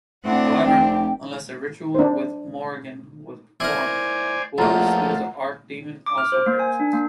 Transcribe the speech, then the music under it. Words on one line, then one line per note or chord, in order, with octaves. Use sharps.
However, unless the ritual with Morrigan was performed, whoever slews the Archdemon also perishes.
A2 C4 D4 F#5
F1 G4 G5
D4 C5
E4 A#4 C5 D5 G#5
A#1 A2 F3 F4 A4 F#5 A#5
D6
F6
C5
A#3
G#5
D4
A#3